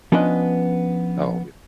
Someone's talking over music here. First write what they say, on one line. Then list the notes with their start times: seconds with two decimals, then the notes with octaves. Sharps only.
Oh, yeah.
0.12 F3 B3 C#4 D4 B4 D#5